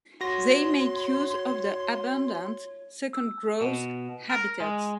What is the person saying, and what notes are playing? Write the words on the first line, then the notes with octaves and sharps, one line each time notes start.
They make use of the abundant second growth habitats.
F#4 C#5 C6 A#6
E6
B2
A#4
G#3